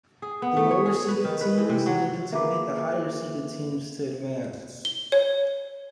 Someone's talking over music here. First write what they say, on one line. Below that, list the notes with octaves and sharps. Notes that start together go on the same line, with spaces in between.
The lower seeded teams needed to beat the higher seeded team to advance.
G#4
B3
A3
C#5
G#4
B4
D#3
B4
E3
C3
F#3
A#3 G#4 B4 E5 D6
G7
C#5